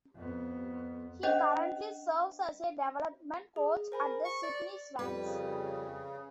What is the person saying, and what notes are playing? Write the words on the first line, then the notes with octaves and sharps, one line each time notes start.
He currently serves as a development coach at the Sydney Swans.
F2 B3
C#4 D4 C5 D#5 F#5
G#4
A#4 C5 G#5 B5
C#6
D5
F2 G3 B4
C#3